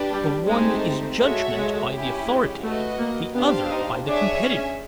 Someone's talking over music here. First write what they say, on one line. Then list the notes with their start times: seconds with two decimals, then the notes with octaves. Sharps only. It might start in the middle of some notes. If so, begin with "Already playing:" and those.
The one is judgment by the authoritative, the other by the competitive, method.
Already playing: D4 G4 B4
0.12 G3
0.47 G#3 A3 C4 D#4 G4 C5
1.19 G#3 F#4 A4 C#5 E5
1.56 G#3
1.91 C#4 E4 G4
2.27 G#3
2.63 A3 F#4 B4 D#5
2.99 A#3
3.34 B3 D4 G4 C5 F5
3.70 D#4
4.06 D4 G#4 C#5 E5
4.43 C#4